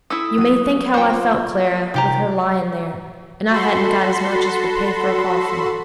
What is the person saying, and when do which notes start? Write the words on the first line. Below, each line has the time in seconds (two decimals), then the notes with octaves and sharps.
You may think how I felt, Clara, with her lyin' there, and I hadn't got as much as would pay for a coffin.
0.10 E4 A4 D#6 E6 B6
0.38 F#3 D#7
0.94 F4 C5 G5 C#6
1.94 C3 D#3 G4 A#5
3.50 F#4 A4 B5 C6